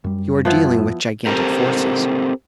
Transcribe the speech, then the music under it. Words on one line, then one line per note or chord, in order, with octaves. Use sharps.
You are dealing with gigantic forces.
F#2 G3
F3 B3 E4
C4 G4 A4 A#4 C5